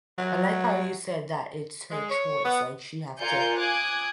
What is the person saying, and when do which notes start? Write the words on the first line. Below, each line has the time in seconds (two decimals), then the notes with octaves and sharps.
I like how you said that it's her choice, like she have to
0.18 F#3
1.91 G#3
2.09 C#5
2.44 B3
3.19 F4 A#4 D5 G#5 G6 C#7
3.60 G#5 D6 D#6 F#6 G#6